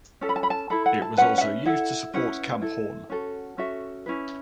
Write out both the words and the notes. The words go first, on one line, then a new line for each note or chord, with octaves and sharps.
It was also used to support Camp Horn.
C#4 A4 A5
B5
A5
B5
A5
E4 A4 B5
F#5
A5
C#4 F#4 B4 F#5
F#5
E5
E4 A4 F#5
C#4 E4 B4 F#5
E4 A4
C#4 F#4 A4
C#4 F#4 A4 E5
C#4 E4 B4